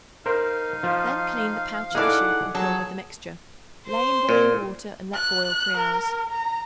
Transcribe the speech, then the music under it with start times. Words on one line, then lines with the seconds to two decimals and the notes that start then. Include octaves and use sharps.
Then clean the pouch of the sheep and fill with the mixture. Lay in boiling water and let boil three hours.
0.26 D#4 A#4 C5 F5
0.83 F3
1.95 D#4 E4 G#4 A4 D5 F#5 D6
2.55 F#3 G#4 A4
3.87 C5
4.29 A#2
5.14 F#6
5.77 A#4
6.30 A#5